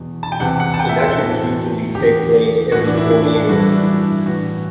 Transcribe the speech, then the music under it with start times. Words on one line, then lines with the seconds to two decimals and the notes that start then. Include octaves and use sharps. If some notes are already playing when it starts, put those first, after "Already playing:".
Elections usually take place every four years.
Already playing: E2 B2
0.23 A5
0.32 G5
0.40 E2 C3 E3 F#5
0.60 F#5
0.74 A5
0.80 G5
0.89 E5
0.98 C5
1.08 A4
1.18 A2 E3
1.95 E2 D3 G4
2.72 A2 E3 F#4
2.86 D4
2.97 E4
3.11 E4
3.24 D4
3.36 D4
3.49 G2 E3 F#4
3.60 E4
3.72 D4
3.83 E4
4.26 A2 E3 F#4